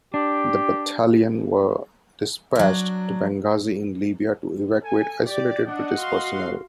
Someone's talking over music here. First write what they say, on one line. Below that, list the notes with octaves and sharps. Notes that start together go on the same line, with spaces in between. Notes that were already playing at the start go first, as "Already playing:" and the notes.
The battalion were dispatched to Benghazi in Libya to evacuate isolated British personnel.
D4 G4
F#3 D4
A4 G#5
G4 D5
D4 D#5 F#5
F#4 F5 C6